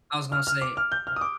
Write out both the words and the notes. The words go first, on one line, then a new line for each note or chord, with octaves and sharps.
I was gonna say, uh
F6
F6
D6
F6
G6
F6
D#6
D6